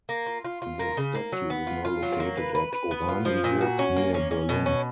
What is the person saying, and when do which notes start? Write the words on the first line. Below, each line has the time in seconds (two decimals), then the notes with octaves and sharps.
The statue is now located at Oranienburg near Berlin.
0.09 A#3
0.26 F4
0.45 F4
0.62 F4
0.80 A#3
0.97 C#3
1.15 A#3
1.32 F#3
1.50 B3
1.67 F4
1.85 F4
2.02 F#3
2.20 A#3
2.37 B4
2.55 B4
2.73 B4
2.91 B3
3.08 F4
3.25 F3
3.44 A#2
3.61 F#4
3.79 C#4
3.96 A#3
4.14 C#4
4.31 C#4
4.49 B2
4.66 C#4